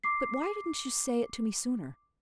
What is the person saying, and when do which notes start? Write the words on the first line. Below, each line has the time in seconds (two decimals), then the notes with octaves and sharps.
"But why didn't you say it to me sooner?"
0.04 D6 C7